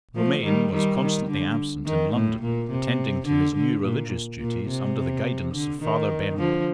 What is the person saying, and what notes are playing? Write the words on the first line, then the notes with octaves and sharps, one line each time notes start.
Romayne was constantly absent in London, attending to his new religious duties under the guidance of Father Benwell.
F3 A3
D#3 G3
D#3 G3
D#3
D3
D#3
A2
A#2
C3
D3
D3
A#2
A#2
C3
D3
D#3
D3 F3